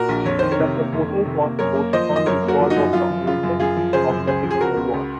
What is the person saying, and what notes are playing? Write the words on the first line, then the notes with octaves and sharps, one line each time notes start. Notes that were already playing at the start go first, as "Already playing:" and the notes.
The proposal was postponed because of the onset of the Second World War.
Already playing: A#2 F#4 A#4
A#1
F2 C#5
D#3 C5
A#4 C#5
C3
A#3
F2
D#3
C3
A#3
F#2 A#4 C#5
A#3
F3 C5 D#5
F#2
D#5
F#2 A#4 C#5
A#3
F#4 A#4
F3
D#4 F#4
F#2
F#2 F4
F3
C#3 F4
F#2
F#2 F4 G#4
F3
C#3 G#4 C5
F#2
C#2 G#4 C5
F3
G#4
C#3 F#4 A#4
C#2
C#2